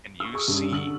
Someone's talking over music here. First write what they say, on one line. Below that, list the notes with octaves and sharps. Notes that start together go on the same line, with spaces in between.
and you see,
C#6 E6
G#4 C#6 D#6
G2 C#4
D3 E6 F#7